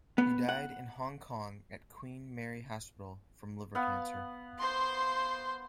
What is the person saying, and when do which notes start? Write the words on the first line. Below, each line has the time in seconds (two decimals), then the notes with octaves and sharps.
He died in Hong Kong at Queen Mary Hospital from liver cancer.
0.18 B3
0.49 F#5
3.75 B3 F5 F#5
4.59 C5 C6